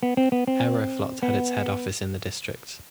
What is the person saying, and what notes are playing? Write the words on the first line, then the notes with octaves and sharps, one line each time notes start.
Aeroflot has its head office in the district.
B3
C4
B3
C4
B3